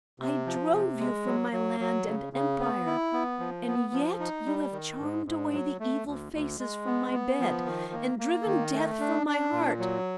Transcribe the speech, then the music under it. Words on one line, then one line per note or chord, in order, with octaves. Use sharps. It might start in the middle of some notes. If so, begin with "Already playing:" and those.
I drove you from my land and empire, and yet you have charmed away the evil faces from my bed, and driven Death from my heart!
C3
F3
C3
G#3
F#3
F#3
F#3
C#3
C#3
B3
E4
B3
F3
B3
F3
D#4
G3
D#3
G#2
G#2
F#3
A3
D2
D2
G#3
B3
B3
F3
D#3
A#3
A#3
D#3
A3
D4
D4
A#2
F#3